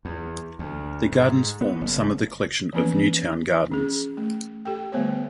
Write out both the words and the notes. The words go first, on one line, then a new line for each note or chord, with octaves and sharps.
The gardens form some of the collection of New Town Gardens.
E2
D2
G#2
B3
F#1
E3 F3 A#3 B3 C#4 B4
C#4 G#4
A3
G4 A4 G5
D3 G3 A3 B3 C5 C#5